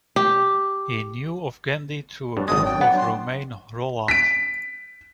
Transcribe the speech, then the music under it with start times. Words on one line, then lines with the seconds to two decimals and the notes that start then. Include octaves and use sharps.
He knew of Gandhi through a book by Romain Rolland.
0.16 G4
2.37 G2 F#3 D4
2.48 G#1 F#2 G#3 D#6
2.65 G5
2.81 B3 F#5
2.97 C6
4.08 B6 D7